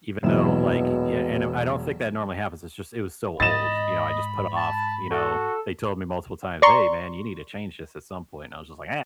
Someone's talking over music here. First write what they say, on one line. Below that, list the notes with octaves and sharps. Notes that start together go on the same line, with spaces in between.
even though, like yeah, and I I don't think that normally happens, it's just, it was so old, you know, I just put it off, you know they told me multiple times, "Hey man, you need to change this at some point," and I was just like,
E1 A#1 B2 E3 F#3 E4 E7
G#2 D#5 B5 A6 E7
A5
F#4 A4
D5 A#5 C6 C#6